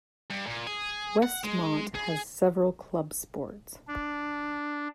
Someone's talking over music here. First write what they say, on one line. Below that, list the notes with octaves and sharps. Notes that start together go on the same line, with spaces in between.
Westmont has several club sports.
G2
A#2
G#4
F#5
G#3
G#4
D4